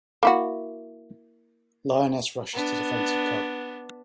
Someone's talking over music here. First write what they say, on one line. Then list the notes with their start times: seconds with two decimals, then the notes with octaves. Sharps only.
Lioness Rushes to Defense of Cub.
0.23 A#3 E4 F#4
2.53 B3 D4